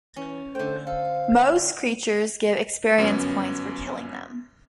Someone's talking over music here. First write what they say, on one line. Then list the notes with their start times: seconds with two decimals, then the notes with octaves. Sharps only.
Most creatures give experience points for killing them.
0.16 E3 C#4
0.55 D3 A3 C5 G5
0.87 A4 C5 F5
2.98 G1 F#2 B3 C#4